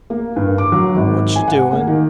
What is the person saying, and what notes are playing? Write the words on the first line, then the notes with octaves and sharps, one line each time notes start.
"What you doin'?"
A#3
G2
D6
F#3
G#1
G#5
F#5
A#3
D#3